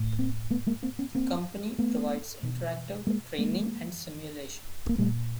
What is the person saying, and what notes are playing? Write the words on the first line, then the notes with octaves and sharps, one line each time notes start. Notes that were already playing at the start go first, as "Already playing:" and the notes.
The company provides "Interactive Training and Simulation".
Already playing: A2
A#3 C4
A3 B3
G#3 A#3
A#3 C4
B3 C#4
A#3 C4
A3 B3
B2
G#3 A#3
G#3 A#3
A#3
A#2 G3 A3